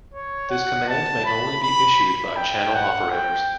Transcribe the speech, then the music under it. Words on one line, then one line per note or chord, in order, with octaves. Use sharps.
This command may only be issued by channel operators.
C#5
F#5
A5
B5
B5
B5
G5
F#5
G5